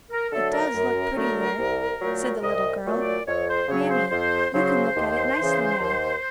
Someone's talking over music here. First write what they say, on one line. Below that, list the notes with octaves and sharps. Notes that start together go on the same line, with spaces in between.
'It does look pretty there,' said the little girl; 'mammie, you can look at it nicely now.'
A#4
D3 F#3 A3 A4
A#4
F#2
D3 F#3 A3
C2
A#2 F#3 A3
C2 D#5
A#2 F#3 A3
D5
F2 C#5
C5
C#3 F#3 C#5
C5
F2 C5
C#3 F#3 C5
D#2
C#3 E3
D#2